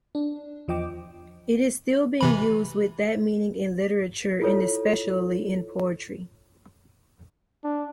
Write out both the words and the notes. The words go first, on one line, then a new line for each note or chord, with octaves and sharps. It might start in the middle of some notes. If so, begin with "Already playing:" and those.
It is still being used with that meaning in literature and especially in poetry.
D4
E2 F3 D#5 G5 D6
C3 E3 B5
E4 F4 A4 C#5
D4